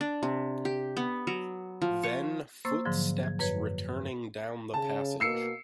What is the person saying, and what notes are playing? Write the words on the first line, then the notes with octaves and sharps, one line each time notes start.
Then footsteps returning down the passage.
D4
C3
G4
B3
F#3
F3
C#5
A#3 C5 C6 C#6 E6 A6
G#2 D3 F3 F#3
G#6
F#2 B4 C#5 G#6
C#3 A5
B2 A#3 E6 C7 C#7